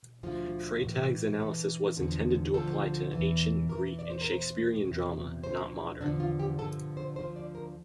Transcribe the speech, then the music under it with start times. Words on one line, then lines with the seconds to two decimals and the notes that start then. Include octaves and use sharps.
Freytag's analysis was intended to apply to ancient Greek and Shakespearean drama, not modern.
0.23 D2 D3 F3 F4
0.81 A2 E3
1.39 G2 E3 A4
1.96 E2 D3 F3
2.54 D2 D3 F3 A4
3.11 E2 E3
3.69 E2 E3 A#4
3.99 D5
4.10 C5
4.21 A#4
4.28 E2 E3 C5
4.85 E2 C3 F3
5.43 D2 D3 F3 C5
6.01 E2 D3 F3 D4
6.20 F4
6.39 G4
6.58 G2 D3 F3 A4
6.97 C5
7.16 D2 D3 F3 C5
7.36 D5
7.55 A#4